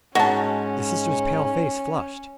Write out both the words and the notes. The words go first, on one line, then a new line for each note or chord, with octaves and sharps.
The sister's pale face flushed.
G#2 C#4 F#4 A5